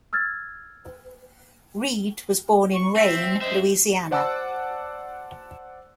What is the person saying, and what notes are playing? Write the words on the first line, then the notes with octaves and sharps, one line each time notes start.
Reed was born in Rayne, Louisiana.
E6 F6 G#6 A6
C#6
C4 E5
F#2 C5 D#5 E5
C5 D5 F#5 A5 D6 E6